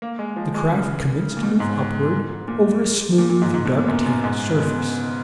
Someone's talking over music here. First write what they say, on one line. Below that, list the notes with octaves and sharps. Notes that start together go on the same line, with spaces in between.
The craft commenced to move upward, over a smooth, dark tan surface.
A#3
G#3
F3
G#3
C#3
A#2
B2
G#2
A#2
A#2
A#2
G#2
G#2
B2
A#2
F#2
F#2
G#2
C#3
B2